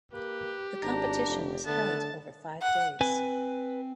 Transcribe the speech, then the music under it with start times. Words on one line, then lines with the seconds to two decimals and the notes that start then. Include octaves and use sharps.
The competition was held over five days.
0.13 A#3 G4 B4
0.83 G#1 D4 A#5
1.27 F1
1.66 D3 A3 B3 A5 A6
2.62 F#5
3.01 C4 B4 G#5